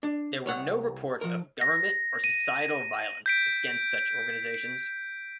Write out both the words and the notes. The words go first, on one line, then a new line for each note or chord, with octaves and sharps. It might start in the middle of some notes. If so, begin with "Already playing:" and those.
There were no reports of government or societal violence against such organizations.
D4
C2 C#5 F#5
F3 A#4
A#6
D#7
G6 B6 D7